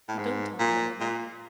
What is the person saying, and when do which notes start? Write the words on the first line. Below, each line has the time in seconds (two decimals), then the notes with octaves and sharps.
But don't tell her, mother.
0.08 A2
0.18 G#2
0.59 A#2
1.00 A#2